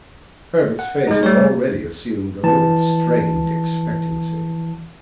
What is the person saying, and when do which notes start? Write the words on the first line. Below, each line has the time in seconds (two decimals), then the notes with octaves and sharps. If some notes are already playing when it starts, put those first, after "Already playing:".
Herbert's face had already assumed a look of strained expectancy.
0.79 F#5
1.07 G#3 D#4
1.23 G3 A3 G4 C#5
2.44 E3 A5